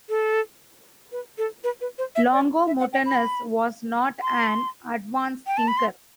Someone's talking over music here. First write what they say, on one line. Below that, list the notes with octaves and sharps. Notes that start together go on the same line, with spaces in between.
Longomontanus was not an advanced thinker.
A4
B4
A4
B4
B4
C5
E5
D5
E5
F#5
G5
B5
C6
G5
A5
B5
C6